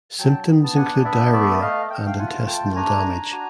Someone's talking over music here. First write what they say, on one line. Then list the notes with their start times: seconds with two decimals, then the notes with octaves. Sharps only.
Symptoms include diarrhea and intestinal damage.
0.19 F#3 G5 A5
0.48 B3
0.64 A5
0.76 D4 F#5 G#5
1.04 B3 D5 E5
1.33 A3 D5 E5
1.61 A3 D#5 F5
1.90 A3 G5
1.98 F#5
2.06 F5 G5
2.18 F4 F#5 G#5
2.47 A3 G5 A5
2.75 D4 G#5 A#5
3.04 D4
3.33 F#4